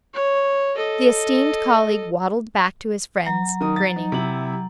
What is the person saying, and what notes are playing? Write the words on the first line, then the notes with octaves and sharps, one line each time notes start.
The esteemed colleague waddled back to his friends, grinning.
C#5
A4 D#5
F#3 A#5
D#3 D#6
A6
D#4
C3 E4 F#7